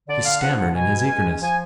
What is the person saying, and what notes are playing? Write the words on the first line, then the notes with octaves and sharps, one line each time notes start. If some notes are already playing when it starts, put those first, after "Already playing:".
He stammered in his eagerness.
D3 D5
F5
F3 B3 D4 F#5
F#5
B2 G#5
G#3 C#4
F3 G#5